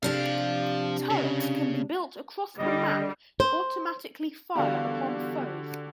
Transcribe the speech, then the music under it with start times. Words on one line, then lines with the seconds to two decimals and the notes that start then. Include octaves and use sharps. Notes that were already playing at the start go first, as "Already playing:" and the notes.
Turrets can be built across the map to automatically fire upon foes.
0.03 C3 F3 D4 G4 F5
1.10 C#3
2.59 D3 G3 D#5
3.40 C5
4.55 E2 D3 G3 F#4 G4 F5